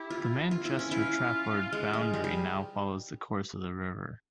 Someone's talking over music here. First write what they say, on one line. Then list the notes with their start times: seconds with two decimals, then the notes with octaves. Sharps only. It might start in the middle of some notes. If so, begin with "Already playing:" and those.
The Manchester-Trafford boundary now follows the course of the river.
Already playing: E4 G4
0.10 F4
0.51 F4
0.65 E4
0.79 C#4
0.91 E4 F4
1.73 G#3
1.93 G#3
2.14 G3
2.24 G3